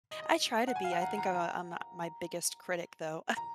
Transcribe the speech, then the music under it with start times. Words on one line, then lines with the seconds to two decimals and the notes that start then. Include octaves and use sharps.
I try to be, I think I I'm no my biggest critic, though.
0.11 D#5
0.22 D#5
0.68 F#5
0.76 G#5
0.84 F5
0.92 F#5
1.01 A#5
1.18 A#5
1.35 A#5
3.37 A#5